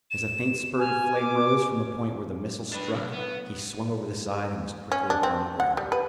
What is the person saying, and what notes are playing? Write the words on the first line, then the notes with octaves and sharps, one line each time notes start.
As a faint spurt of flame rose from the point where the missile struck he swung over the side and was quickly upon the ground.
E7
G#5 F6
D6
D4 B4
B1
B3
C#4
D4
C4
F#5
G3
B4